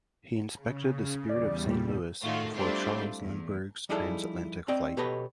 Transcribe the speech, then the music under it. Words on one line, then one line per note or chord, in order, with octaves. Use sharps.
He inspected the Spirit of Saint Louis before Charles Lindbergh's trans-Atlantic flight.
C#3
E2 G3 D5
A#2
A2 D#3 A3 F4 F#4
G3 A3 C4 D4 E4 F4
E2
F3 G3 D#4 E4 G#4 A4
C4 D5 D#5 G5
B2 G4 A4 B4 C#5 D#5